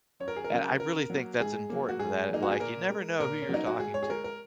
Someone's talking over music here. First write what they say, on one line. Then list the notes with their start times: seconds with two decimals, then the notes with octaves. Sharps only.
And I really think that's important that, like, you never know who you're talking to.
0.20 F#2 C#5
0.28 A#4
0.36 G#4
0.44 A#4
0.50 C#3 F#3
0.80 C#3 A#4
1.10 F#3 A#3
1.40 G#2 G#4
1.70 F#3 A#3
1.89 F#4
1.99 G#2 G#4
2.30 F#3 A#3 D#4
2.42 F#4
2.51 G#4
2.60 A#2 A#4
2.90 G#3
3.19 A#2 A#4
3.42 C#4
3.49 F#3 A#3 D#4
3.67 F#4
3.79 G#2 G#4
3.94 C#5
4.03 G#4
4.09 G#3 A#4
4.24 A#4